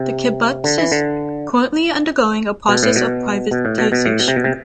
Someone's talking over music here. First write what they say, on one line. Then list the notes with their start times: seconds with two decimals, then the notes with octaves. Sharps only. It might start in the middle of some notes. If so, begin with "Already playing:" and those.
The kibbutz is currently undergoing a process of privatization.
Already playing: C3
0.64 D3
0.78 E3
0.92 D3
2.69 B2
2.83 A2
2.96 B2
3.51 B2
3.65 A2
3.78 B2
3.92 B2
4.06 A2
4.19 B2
4.28 C3
4.36 B2
4.44 C3